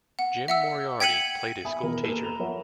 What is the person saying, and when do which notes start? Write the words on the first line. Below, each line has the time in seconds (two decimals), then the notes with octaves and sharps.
Jim Moriarty played a school teacher.
0.19 F#5
0.48 E5 F#5 E6
1.00 G5 G#6 B6 C#7 D#7 F#7
1.65 E5 G#5 B5 D#6
1.83 E2 B2 A#4
2.03 A#3 A4 D#7 E7 G7
2.24 A#5 B5 F7
2.39 F3 A#4 C#5 E5 F#5